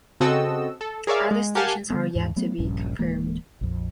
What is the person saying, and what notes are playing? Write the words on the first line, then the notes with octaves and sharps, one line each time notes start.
Other stations are yet to be confirmed.
C#3 C4 F#4 A4 D#5 E6
A4
G#4 A#4 C#5 D5 E5 F5
G#3
G4 A#4 F5 F#5 G#5 A5
D3 G3 B3
D#2 G#2 E3
F#3 A3 B3 C#4
D#1 A#1 G2 C#4
D1 E3 G#3 A#3
A#1 F2